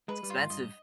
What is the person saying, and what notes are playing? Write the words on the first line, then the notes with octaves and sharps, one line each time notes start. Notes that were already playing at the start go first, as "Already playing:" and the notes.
It's expensive.
G#3 B4
G3
F4
G#2
G2 D#5